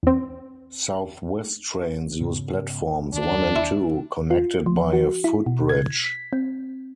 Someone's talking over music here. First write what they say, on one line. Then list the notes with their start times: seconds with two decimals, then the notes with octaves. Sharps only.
South West Trains use platforms one and two, connected by a footbridge.
0.03 E2 C4
2.20 G#2 C#3 B3
3.13 D#2 D4
3.56 E4
4.31 F4
4.66 F3
4.93 F#4
5.24 E4
5.46 B2
5.69 G#6
6.04 B6
6.33 C4